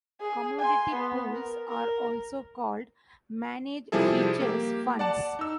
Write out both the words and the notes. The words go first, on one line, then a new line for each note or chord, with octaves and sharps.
Commodity pools are also called "managed futures funds".
G#4 G#5
G#5 C6
B3
A#4
A#4
C3 F3 G3 E4 G#4 A4
A#3 G4
D5 F#5 A5
D#4 E6